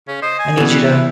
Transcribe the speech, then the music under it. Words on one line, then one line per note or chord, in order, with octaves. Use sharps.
I need you to
C#3 C#4
C5 D#5
G#5
B2 E3 G3
G3 B4
E4